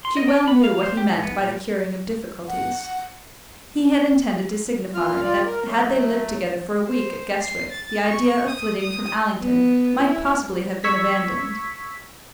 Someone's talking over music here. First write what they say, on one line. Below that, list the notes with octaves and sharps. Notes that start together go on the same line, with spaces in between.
She well knew what he meant by the curing of difficulties. He had intended to signify that had they lived together for a week at Guestwick the idea of flitting from Allington might possibly have been abandoned.
C6
D#5
D4
B5
F5
C5
G4
G#2
B3
A#2
F#5
A#2 F4 F6
F4 D5
A#4
F#3 A3
C5
C7
A6
C#6
D#6
D#6
B3
E4
C#6 E6 G#6 B6